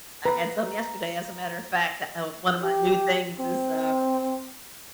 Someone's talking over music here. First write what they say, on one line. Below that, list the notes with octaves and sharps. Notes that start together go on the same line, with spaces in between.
I had some yesterday, as a matter of fact, uh, one of my new things is, uh,
B4 A#5
G4
C4